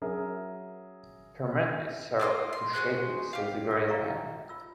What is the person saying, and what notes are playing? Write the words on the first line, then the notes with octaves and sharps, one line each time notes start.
'Permit me, Sir, to shake it,’ said the grave man.
F#3 C#4 G#4 A#4 E5
A#3 F4 A#4 D#5
C6
F#4 G#4 C5 F#6
G4 F5
G4 D5 E5 F5 A#5 C#6
F4 E6